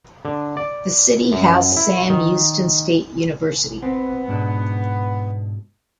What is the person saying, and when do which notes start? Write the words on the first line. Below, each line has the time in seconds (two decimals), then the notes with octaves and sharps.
The city has Sam Houston State University.
0.25 D3
0.57 D5
1.32 F#2
1.77 E4
2.10 D#3
3.82 B3 C4
4.28 G#2 B2 D4